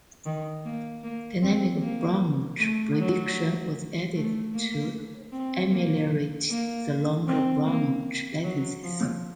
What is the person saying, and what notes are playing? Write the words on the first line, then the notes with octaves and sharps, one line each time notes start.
Dynamic branch prediction was added to ameliorate the longer branch latencies.
D#3
A#3
A#3
C4
A#3
A3
F#3
A3
A#3
C4
A#3
A#3
C4
A#3
F#3
F3